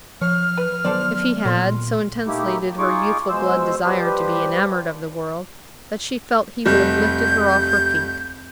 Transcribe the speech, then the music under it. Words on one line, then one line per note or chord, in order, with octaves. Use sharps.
If he had, so intensely did her youthful blood desire to be enamoured of the world, that she felt he would have lifted her off her feet.
F3 C#5 F6
B4
D#3 F#3 B3 A4 C5 D5
A#2 A4 C6
A3 A#3 D#4 E4 G4
D#4 F4 G#4 C#6 D6
B2 G#3 C5 E6
F3 G3 G4 B4 C5
F1 G3 G6